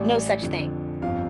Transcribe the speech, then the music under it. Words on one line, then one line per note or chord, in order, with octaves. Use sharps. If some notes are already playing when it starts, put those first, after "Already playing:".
No such thing.
Already playing: A1 A2 G3 D5
F2 D3 F3
G1 F2 F3 F5